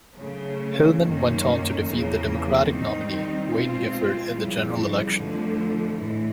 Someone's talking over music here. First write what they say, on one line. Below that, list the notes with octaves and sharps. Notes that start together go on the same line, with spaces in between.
Hillman went on to defeat the Democratic nominee, Wayne Gifford, in the general election.
C#3 F#3 A3
F#2 D#3 F#3 A#3 C#4
E2 C#3 F3 A#3
D#3 G3 C4 D#4
B2 G#3 C4 F4
F2 C#3 E3 G3
F2 D3 F3 A3
A2 E3 G#3